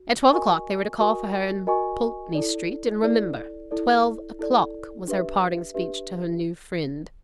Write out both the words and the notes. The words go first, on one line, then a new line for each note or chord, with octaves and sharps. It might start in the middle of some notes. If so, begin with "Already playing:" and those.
At twelve o'clock, they were to call for her in Pulteney Street; and "Remember--twelve o'clock," was her parting speech to her new friend.
Already playing: F#4
F#4 A#4 D#5 G#5 C#6
F#4 A#4 D#5 G#5 C#6
F#4 A#4 D#5 G#5 C#6
E4 A4 D5
E4 A4 D5
E4 A4 D5
E4 A4 D5
D4 G4 B4 E5
D4 G4 B4 E5